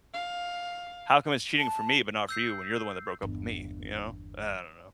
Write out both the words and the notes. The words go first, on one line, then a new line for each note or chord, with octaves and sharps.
How come it's cheating for me, but not for you when you're the one that broke up with me, you know? I don't know.
F5
A5
E6 G6 C7
G1 E2